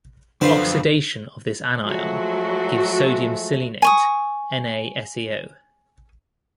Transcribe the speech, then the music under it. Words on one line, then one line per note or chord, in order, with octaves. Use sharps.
Oxidation of this anion gives sodium selenate, NaSeO.
F#2 D3 F3 C4 B4 F5 A5
F3 F#3 G#3 A3 F#4
G#5 C#6 D#6